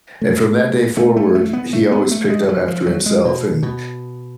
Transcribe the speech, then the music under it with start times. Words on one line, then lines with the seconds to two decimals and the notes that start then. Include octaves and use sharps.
and from that day forward, he always picked up after himself and
0.21 A3
0.97 A3
1.16 A3
1.35 A3
1.53 B3
1.73 A3
1.92 B3
2.11 A3
2.30 G#3
2.49 F#3
2.68 F3
2.86 F#3
3.06 G#3
3.25 B2
3.63 B2